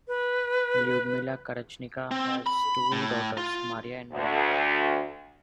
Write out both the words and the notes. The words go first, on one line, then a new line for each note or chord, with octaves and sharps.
Lyudmila Karachkina has two daughters, Maria and Renata.
B4
C4
B5
A2
F4
D2